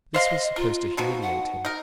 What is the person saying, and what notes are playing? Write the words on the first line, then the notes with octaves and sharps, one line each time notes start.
This was supposed to humiliate him.
C5 D#5 F5 C6
F4 A#4
B2 D#3 F3 F#4
F#5
D#4 A#4